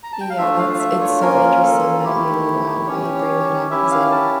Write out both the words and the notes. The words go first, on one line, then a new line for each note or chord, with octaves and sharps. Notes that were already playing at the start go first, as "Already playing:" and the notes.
Yeah, that's it's so interesting that you, um, that you bring that up because it,
A#5
A5
G5
F5
A3 D4 F4 E5
F5
F5
E5
C#5
A#3 C#4 F4 A#4
A4
A3 E4 G4
C#4 G4 C#5
C#4 E4 G4 E5
F5
A5